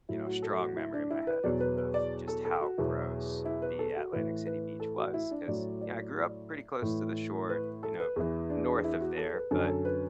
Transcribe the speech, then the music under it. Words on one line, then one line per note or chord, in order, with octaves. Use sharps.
you know, strong memory in my head of of just how gross the Atlantic City Beach was 'cause, you know, I grew up pretty close to the shore, you know, n north of there, but,
A2 F#3 E4
F#4
A4
F#4
E4
D4
E4
B4
E2 B2 F#3 D5
B4
B4
D5
A4
A4
F#4
E2 B2 F#3 E4
E4
B4
A4
F#4
A2 E3 B4
B4
A4
F#4
E4
D4
A2 F#3 D5
D5
A2 E3
B4
A4
B4
E2 E3
D4
E4
F#4
A4
B4
F#2 D3 F#3 A4
A4
B4